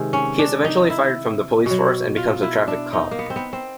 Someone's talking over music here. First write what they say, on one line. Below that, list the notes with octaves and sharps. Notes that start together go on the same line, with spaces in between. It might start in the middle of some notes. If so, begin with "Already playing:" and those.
He is eventually fired from the police force and becomes a traffic cop.
Already playing: C3 D#3 G#3
C#4
D4
D#4
E4
B2 F#3
F4
E4
D4
D#4
A#3
B3
C4
B3
C4